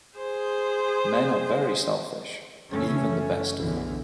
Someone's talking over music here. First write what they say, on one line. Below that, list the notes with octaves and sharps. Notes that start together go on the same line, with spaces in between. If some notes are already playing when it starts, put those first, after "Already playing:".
Men are very selfish, even the best of them.
G#4 C5
F#1 E3 A3 C#4
B1 E2 D3 E3